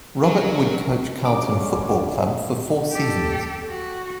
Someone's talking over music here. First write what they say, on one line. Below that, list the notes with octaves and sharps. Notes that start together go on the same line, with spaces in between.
Robert would coach Carlton Football Club for four seasons.
F#3 A#4
G2 D3 G#3 C#4 F#4 D6
G4 A4
F#4